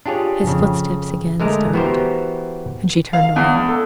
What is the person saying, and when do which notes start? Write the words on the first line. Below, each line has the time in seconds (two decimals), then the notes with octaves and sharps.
His footsteps again startled her, and she turned round.
0.06 D4 F4 G4 G#4 C#5
0.47 F2 C#3
1.40 D3 G#3 A3 A#4 A#5
1.73 E3 B3 F#4 G4 A#4 C5
3.13 F5
3.36 E2
3.55 E2
3.68 A4